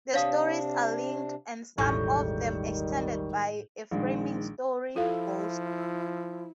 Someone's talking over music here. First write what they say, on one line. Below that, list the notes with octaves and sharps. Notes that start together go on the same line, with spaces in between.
The stories are linked, and some of them extended, by a framing story, "Ghost".
C3 D4 C#5 F5 D#6
E1 A1 A2 D#3 G3 G#3 C#6 G6
A#1 D#3 G#3
F3 E4 F4 A4 F5